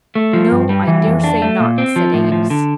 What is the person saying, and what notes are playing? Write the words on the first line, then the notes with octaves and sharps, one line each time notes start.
"No; I dare say not," said Eames.
A3
F3
G2
G3
E3
F2
D4
A3
A#2
C4
F3
A2
F3
D3